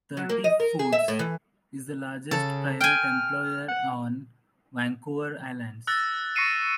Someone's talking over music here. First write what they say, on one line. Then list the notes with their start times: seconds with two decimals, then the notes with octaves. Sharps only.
Thrifty Foods is the largest private employer on Vancouver Island.
0.17 F#3
0.29 A#3
0.44 D#5
0.60 A#4
0.79 G#4
0.93 E5
1.08 A2
1.19 E3
2.31 C#3 A4
2.80 G5 G#5 F6
3.68 F#5
5.87 E6 F#6 A6 A#6
6.35 C#6 A#6 C7 C#7 D#7 E7